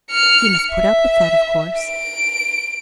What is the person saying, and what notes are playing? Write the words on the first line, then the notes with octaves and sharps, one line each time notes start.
He must put up with that of course.
F6 C#7
E5
D7